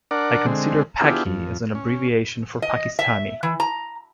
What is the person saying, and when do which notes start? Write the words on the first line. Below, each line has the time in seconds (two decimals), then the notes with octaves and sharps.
I consider Paki as an abbreviation for Pakistani.
0.11 D4 A#4 D5 F#5
0.46 D3 G#3 C4
1.01 B3 D4 E4 F4 G4 G#4
1.26 F2
1.75 C#4
2.62 D#5
2.99 E5
3.43 E3
3.60 A#5